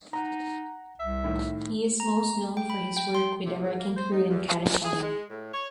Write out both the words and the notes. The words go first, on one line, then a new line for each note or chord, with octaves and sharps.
He is most known for his work with the Wrecking Crew in California.
D#4 F#5 A#5
C2 E5
A2 D#3
A#5
G5
B5
G5
C6
C3
G#2
A#3
C5
D#4
E2
C3
G#4
G#3
A2
C#5